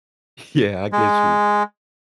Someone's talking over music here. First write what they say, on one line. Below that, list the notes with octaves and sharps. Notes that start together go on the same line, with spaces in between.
yeah. I get you.
G#3